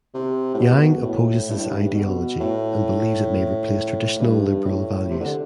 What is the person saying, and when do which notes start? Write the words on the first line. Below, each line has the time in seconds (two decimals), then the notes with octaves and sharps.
Yang opposes this ideology and believes it may replace traditional liberal values.
0.14 C3
0.54 A2
0.59 B2
1.04 A2
1.49 G2
1.59 A2
1.70 G2
1.95 B2
2.40 A2
4.20 G2
4.65 A2
5.10 C3
5.20 D3